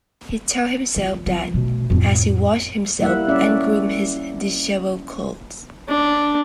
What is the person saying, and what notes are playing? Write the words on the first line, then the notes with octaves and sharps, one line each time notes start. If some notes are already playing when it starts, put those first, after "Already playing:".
He told himself that as he washed himself and groomed his disheveled clothes.
F2
F3
B2 A3
F2 A2
G3 A#3 E4 E5 F#5
C#4 D5 E5
D4